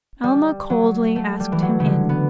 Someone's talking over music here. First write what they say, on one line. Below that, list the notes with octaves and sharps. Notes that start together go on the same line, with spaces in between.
Alma coldly asked him in.
G3
F#3
A3
G3
E3
F#3
C#3
D3
B3